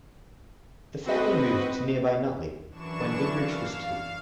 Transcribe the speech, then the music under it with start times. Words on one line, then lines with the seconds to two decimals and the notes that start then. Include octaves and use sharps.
The family moved to nearby Nutley when Goodrich was two.
1.06 C4 F#4 B4 D#5
2.68 F#2 E3 D4 C#6 E7
3.27 F5